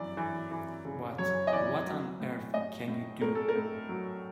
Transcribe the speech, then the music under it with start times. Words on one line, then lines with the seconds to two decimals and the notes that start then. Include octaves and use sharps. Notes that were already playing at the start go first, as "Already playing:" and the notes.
But what on earth can you do?
Already playing: F#2 E3 D5
0.17 E3
0.51 E3
0.85 C#3
1.18 F#2 C#5
1.47 D#5
1.52 E3 D5
1.86 F#3
2.20 A2
2.54 A2 D#5
2.88 A2
3.21 A2 A#4
3.35 A4
3.48 A#4
3.55 A2
3.89 F#3